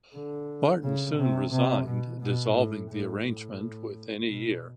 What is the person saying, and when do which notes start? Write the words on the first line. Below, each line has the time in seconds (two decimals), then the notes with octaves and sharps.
Martin soon resigned, dissolving the arrangement within a year.
0.14 D3
0.83 C#3
1.17 C3
1.52 C3
1.87 B2
2.21 B2
2.56 A2
2.91 A2
3.24 A2
4.29 B2